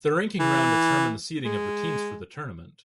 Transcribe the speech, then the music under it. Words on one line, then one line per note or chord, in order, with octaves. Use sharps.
The ranking round determined the seeding of the teams for the tournament.
E3
G#3